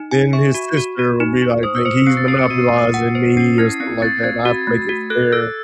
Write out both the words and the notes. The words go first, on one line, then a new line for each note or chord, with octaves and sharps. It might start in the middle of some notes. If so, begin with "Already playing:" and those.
then his sister will be like think he's monopolizing me, or something like that, and I have to make it fair,
Already playing: D#4
G#5
E5 C#6
F#4
F#4
F#4
D#4
D#4
C5 D#6
E6
C5 C#7
C#7
C4 C7
A6
C5 C7
C#7
F#4 D#7
A3
F#5
C5
C#4 C7
E4 G#6
C4 C7
C4 A6
C4 G#6
F#4
A3
F#4
A4 F#6
A4 E6